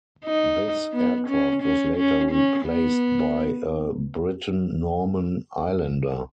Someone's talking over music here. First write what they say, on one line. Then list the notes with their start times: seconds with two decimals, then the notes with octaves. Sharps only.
This aircraft was later replaced by a Britten-Norman Islander.
0.25 D#4
0.93 B3
1.28 C#4
1.62 C#4
1.97 C#4
2.31 C#4
2.66 B3